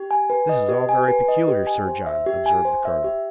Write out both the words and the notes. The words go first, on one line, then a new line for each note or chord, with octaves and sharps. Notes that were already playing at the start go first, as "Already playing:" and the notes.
"This is all very peculiar, Sir John," observed the colonel.
Already playing: G4
G#5
B4
D#5
G4
G#5
B4
D#5
G4
G#5
C5
E5
G4
G#5
C5
E5
G4